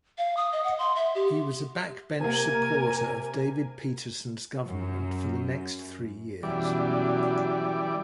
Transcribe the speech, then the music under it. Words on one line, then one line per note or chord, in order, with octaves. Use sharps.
He was a backbench supporter of David Peterson's government for the next three years.
F5
D#6
D#5
F#5
C6
E5
G4
C3 A#3 A#4 G#5
F#2
F#2 B2 E3 F#3 G3 D5